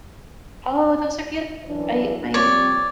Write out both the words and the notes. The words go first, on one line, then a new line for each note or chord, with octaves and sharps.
Oh, those are beautiful. I My
F#2 E3 D4
F3 G3 C4 C#5 D5